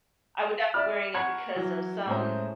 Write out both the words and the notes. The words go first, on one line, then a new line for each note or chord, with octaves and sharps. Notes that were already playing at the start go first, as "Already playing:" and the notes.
I would not be wearing it because of some
D5 E5 B5 F6
F#5 G#5 A#5 B5 C#6 G#6
E3 F#3
A2 G#3 C#4 C5 A#5